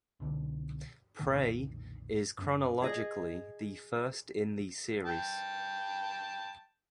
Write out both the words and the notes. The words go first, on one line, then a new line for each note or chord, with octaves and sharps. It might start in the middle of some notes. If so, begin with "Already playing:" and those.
"Prey" is chronologically the first in the series.
C2 B2 D3
B1 F2 A#2 D#3
F#2 C#4
G#4 D#5
G5 A5